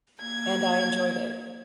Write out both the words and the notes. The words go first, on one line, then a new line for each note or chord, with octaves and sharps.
And I enjoyed it.
A#3 G#6